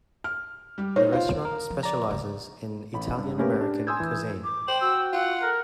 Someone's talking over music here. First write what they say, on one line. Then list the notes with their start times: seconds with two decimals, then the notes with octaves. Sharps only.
The restaurant specializes in Italian-American cuisine.
0.24 F6
0.78 G3 G4
0.96 D#4 C5 C#5
1.12 F4 C5 F5
1.45 A#4
1.70 F3
1.83 D5 A#5
2.08 F1 C#2
2.94 A1 B5
3.18 G2
3.38 A3 A#3 C#4 G4 A#4 B4
3.61 D4 G4
3.87 G#5 C6 D#6 E6 G6 G#6
4.00 E3
4.44 D6
4.68 C5 G5 F#7
4.81 F#4 E6
5.13 F4 F#5
5.42 A4 A#4